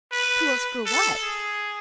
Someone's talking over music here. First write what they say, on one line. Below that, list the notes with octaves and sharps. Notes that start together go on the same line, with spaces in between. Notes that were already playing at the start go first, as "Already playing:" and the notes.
"Tools for what?"
B4
A4
G#4